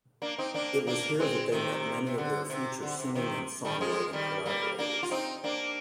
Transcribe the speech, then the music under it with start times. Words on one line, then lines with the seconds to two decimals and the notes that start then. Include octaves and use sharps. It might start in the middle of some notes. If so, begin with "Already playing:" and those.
It was here that they met many of their future singing and songwriting collaborators.
0.22 A#3 D4
0.38 C4 D#4
0.54 A#3 D4
0.87 A#3 D4
1.20 G#3 C4
1.52 C3 D#3
2.07 C3
2.18 D3
2.50 C3
2.83 D3
2.99 C3
3.15 C3 D#3
3.65 D#3 G3
3.81 F3 G#3
4.13 D#3 G3
4.46 G3 A#3
4.78 A#3 D4
5.03 F4
5.11 C4 D#4
5.44 A#3 D4